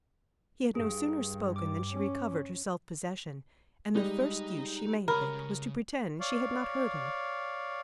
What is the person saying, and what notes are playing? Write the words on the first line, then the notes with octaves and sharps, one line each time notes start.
He had no sooner spoken than she recovered her self-possession, and the first use she made of it was to pretend she had not heard him.
G2 G#4 F5
D6
C#4
G3 G#3 D#4
C#3 A#4 C#5 B5
C#5 D5 F5